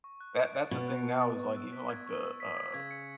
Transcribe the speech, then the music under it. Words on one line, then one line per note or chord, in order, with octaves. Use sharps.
That that's the thing now is, like, even like the, uh,
C#6
F#6
D7
A6
B2 C#6
F#6
D7
A6
C#6
E6
B6
G#6
C#6
E6
B6
G#6
C#3 G#6
C#7